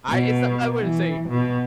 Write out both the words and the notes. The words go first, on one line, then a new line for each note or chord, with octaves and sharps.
I It's not I wouldn't say
B2
E3
B2